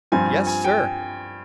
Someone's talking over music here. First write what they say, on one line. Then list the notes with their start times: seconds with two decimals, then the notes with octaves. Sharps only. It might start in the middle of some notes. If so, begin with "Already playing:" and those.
"Yes, sir."
0.12 G2 F3 C4 F4 G#5
0.47 G#5
0.64 G5